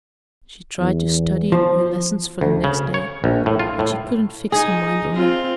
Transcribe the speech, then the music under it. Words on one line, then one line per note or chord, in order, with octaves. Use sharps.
She tried to study her lessons for the next day, but she couldn't fix her mind on them.
E2
F3
D2
C#3
C#5
A#1
A2
F4
A2
D#4 G#4
C4 F4